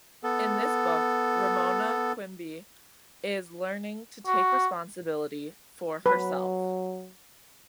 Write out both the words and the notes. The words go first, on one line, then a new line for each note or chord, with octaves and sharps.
In this book Ramona Quimby is learning to take responsibility for herself.
B3 A4
F#4
F#3 B4